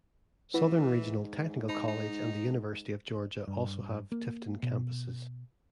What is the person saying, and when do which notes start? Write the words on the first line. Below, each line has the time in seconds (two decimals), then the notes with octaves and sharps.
Southern Regional Technical College and the University of Georgia also have Tifton campuses.
0.54 A1 E3 E4 B4 F#5
1.01 G#2
1.69 D#4 C5 A5 B5
1.88 D#4
3.47 G2
4.12 A#3
4.63 B2